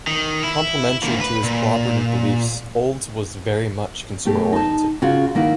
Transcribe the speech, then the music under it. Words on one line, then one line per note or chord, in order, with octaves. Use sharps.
Complementary to his cooperative beliefs, Olds was "very much consumer oriented".
D#3
E4
D2 A#3
B4
A#2
B2 A3 G4 G#4
D#4 A5
C#3 F4 F#4
D#3 A#3 E4 F#5